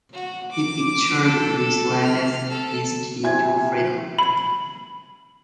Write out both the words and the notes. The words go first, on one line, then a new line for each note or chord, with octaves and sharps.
He pictured this land as his key to freedom.
F#4
D6
A4
F6
A4
C3 E4 G#5 G#6
B5